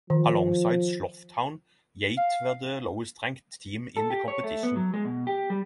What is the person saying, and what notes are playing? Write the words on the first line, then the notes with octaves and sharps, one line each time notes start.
Alongside Slough Town, Yate were the lowest ranked team in the competition.
D#3 F3
F5
A4
G4
C#5
A3
B3
F#3
G#3
B2
G4
G3